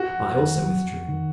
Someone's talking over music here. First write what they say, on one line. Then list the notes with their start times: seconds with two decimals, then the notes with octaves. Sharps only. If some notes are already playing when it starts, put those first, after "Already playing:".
I also withdrew.
Already playing: F#4
0.09 F2
0.25 F2
0.42 D#3
0.59 F#3
0.76 F2
0.92 F2
1.09 D#3